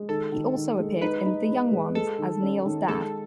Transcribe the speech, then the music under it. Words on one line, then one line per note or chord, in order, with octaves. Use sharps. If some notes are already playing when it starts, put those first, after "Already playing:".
He also appeared in "The Young Ones" as Neil's dad.
Already playing: G#3
D#3 A4
D#3
D#3
G#3
D#4 B4
D#4
G#3
G#3
G#3 A4
D#3
C#4
D#3
G#3 A4